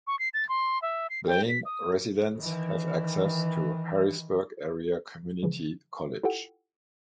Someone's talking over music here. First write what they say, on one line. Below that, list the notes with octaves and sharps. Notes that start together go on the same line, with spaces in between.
Blain residents have access to Harrisburg Area Community College.
C#6
C7
A6
C6
E5
C7
G5
B6
D#6
D#3 E3
C#3 E3 F3 G#3
E4 F4 G4 A4 F#5 G5